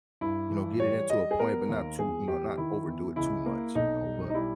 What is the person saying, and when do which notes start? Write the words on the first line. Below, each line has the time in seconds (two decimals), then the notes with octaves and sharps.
you know, get it into a point, but not too you know, not overdo it too much, you know, but
0.21 G2 E4
0.50 E3
0.80 G3 C#5
1.10 G3 D#5
1.31 G#4
1.39 B3 A#4
1.69 D#2
1.98 E2 G#4
2.28 E2 G4
2.57 D#3 E4
2.87 E2
3.16 C#2 E4
3.46 A#3
3.75 B1 D#4
4.06 G3
4.30 D#4
4.34 G3 E4